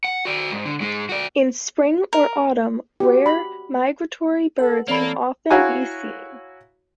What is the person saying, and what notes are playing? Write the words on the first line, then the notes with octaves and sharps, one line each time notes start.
In spring or autumn rare migratory birds can often be seen.
F#5
F#4 D5
G#2
D3
G#2 G#3
F#4 D5
A#4
F#4 G4
B5
A4 B4 F#5
E3 A#3 C4 A4 C#5 D5 B5 G#6
E4 F#4 C#5 F5 G#5 A#5